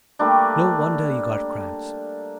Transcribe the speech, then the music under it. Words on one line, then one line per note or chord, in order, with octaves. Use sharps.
"No wonder you got cramps."
G3 A3 A#3 D4